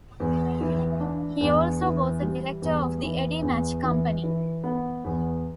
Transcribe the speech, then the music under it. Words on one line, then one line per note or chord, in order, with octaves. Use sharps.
He also was a director of the Eddy Match Company.
E2
E3
D4
E2
E3
G3
E2
E3
E2
E3
E3
B3
E2